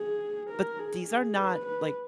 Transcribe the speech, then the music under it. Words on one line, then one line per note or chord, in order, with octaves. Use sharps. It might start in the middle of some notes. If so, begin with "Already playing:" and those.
but these are not, like"
Already playing: G#4
A#4
G#4
G#4
B4
B4